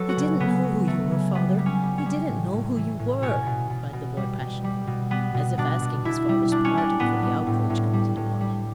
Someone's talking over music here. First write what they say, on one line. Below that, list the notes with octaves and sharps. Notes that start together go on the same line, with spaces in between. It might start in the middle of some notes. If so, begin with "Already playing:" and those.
"They didn't know who you were, father; they didn't know who you were," cried the boy passionately, as if asking his father's pardon for the outrage committed upon him.
Already playing: F#3 A4 B4 C#5
F#4
C#3
C#3 B3
F#3
F#3 A3
C#3
G3 B3
G3
C#4
G3
C#4
G3
A2
A2
E3
A2
B2 C#4
B2
B2
B2
G3
B2
G3
B2
G3 B3
B2
B2 D4
B2
B2 E4
G3
G3 D4
C#4
G3 D4
A2 B3
G3
A2
A2
G3
A2
G3